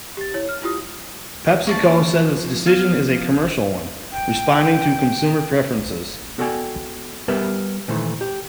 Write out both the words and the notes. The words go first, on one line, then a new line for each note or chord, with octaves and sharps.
PepsiCo says its decision is a commercial one - responding to consumer preferences.
G4 A6
E4 C#5
F6
E4 F4 G4 D#6
A#3 C#4 D5 A5
F3
B3 F5
G5
B3 F#4 A4 D5 G5 G#5
G3 B3 G4 A#4 B4 E5
A#2 D#3 E3 A3 C5
G4